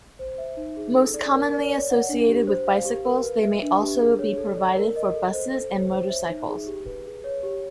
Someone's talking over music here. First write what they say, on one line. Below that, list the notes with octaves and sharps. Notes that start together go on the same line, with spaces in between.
Most commonly associated with bicycles, they may also be provided for buses and motorcycles.
C5
E5
D#4
G#4
A4
D5
A#4
D5
C#5
F#5
D4
G4
C5
F5
G4
A#4
B4
E5
D4
G4
G#4
C#5
A4
D5
A#4
D#5
A4
C5
A4
C#5
C5
E5
D#4
G#4
G4
B4
G#4
C#5
G4